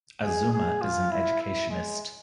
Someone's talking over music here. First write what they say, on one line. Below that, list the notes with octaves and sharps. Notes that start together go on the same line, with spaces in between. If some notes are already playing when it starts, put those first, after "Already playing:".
Azumah is an educationist.
G#4
G#4
F4
E4
E4
G#3